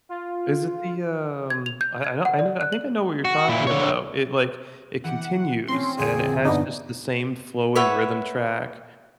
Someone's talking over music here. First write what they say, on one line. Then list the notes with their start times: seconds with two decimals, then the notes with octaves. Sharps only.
Is it the, um I I know I know I think I know what you're talking about. It, like it continues, and it has just the same flowing rhythm track,
0.09 F4
1.50 G#6
1.66 F7
1.81 G6
2.04 G#6
2.25 F#5
2.39 D5
2.61 F#6
2.73 F#7
3.25 F#4
3.48 A#2 E4
3.67 D3 C#5
5.04 E3 G4 F#5
5.68 C4 C#4 C6 A#6 C7
5.97 F2 A#2 D3 G#4
6.45 G2 B3 D4 D#4 D#5
7.76 B4 C#5 E5 F#5